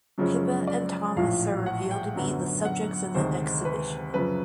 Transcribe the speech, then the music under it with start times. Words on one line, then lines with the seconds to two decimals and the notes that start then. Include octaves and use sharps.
Pippa and Thomas are revealed to be the subjects of the exhibition.
0.18 F#2 C#3 F3 G#3 C#4
0.68 D5
1.16 A#1 A2 F3 F5
1.66 F#5
1.91 G5
2.16 F#2 D3 F#3 B3
2.65 F#5
3.15 D2 C3 D#3 G#3 C5
3.65 B4
4.14 F#2 C#3 F3 B4